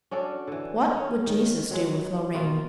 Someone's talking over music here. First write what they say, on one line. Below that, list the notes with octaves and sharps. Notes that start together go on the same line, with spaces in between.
"What would Jesus do with Loreen?"
C#4 D4 F#4 A4
D3 E3
C#4
D#3
F#3 G#3
B2 A#3 F4